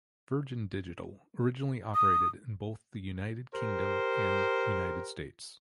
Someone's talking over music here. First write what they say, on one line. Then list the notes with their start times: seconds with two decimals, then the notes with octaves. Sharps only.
Virgin Digital originally operated in both the United Kingdom and United States.
1.95 D#6
3.53 G4 A#4 C5